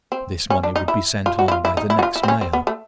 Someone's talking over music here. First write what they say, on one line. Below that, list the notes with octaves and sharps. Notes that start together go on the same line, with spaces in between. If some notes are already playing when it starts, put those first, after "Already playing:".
This money would be sent on by the next mail.
C4
C#4
D4
D#4
E4
F4
F#4
E4
F4
E4
D#4
E4
F#4
F4
E4
C4
C#4
C4
B3
A3